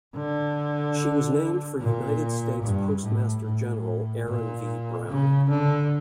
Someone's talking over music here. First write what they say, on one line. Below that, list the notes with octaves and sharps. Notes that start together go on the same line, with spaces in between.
She was named for United States Postmaster General Aaron V. Brown.
D3
A#2
G2
A2
A2
A#2
C#3
D3